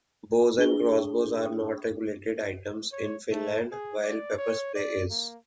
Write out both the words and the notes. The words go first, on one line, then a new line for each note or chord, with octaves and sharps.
Bows and crossbows are not regulated items in Finland, while pepper spray is.
D4 G#4 G7
C#5
A3
G#4
D5
C#5
D5
A#3